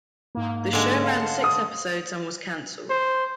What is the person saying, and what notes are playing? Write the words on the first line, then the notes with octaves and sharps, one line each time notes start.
The show ran six episodes and was cancelled.
G#2 A#3
D3 G#3
F5 F#5 A5
D#6
C5